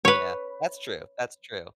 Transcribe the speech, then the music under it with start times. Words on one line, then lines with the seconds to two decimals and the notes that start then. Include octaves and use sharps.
Yeah, that's true, that's true.
0.05 B4 C#5